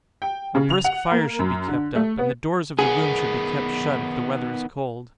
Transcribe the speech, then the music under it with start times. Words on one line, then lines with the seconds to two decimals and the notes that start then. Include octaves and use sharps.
A brisk fire should be kept up, and the doors of the room should be kept shut, if the weather is cold.
0.22 G5
0.55 C#3
0.70 F7
0.84 F#5
1.11 A#3
1.39 F#2
1.68 D3
1.95 A3
2.18 B3
2.79 D#3 B3 G#4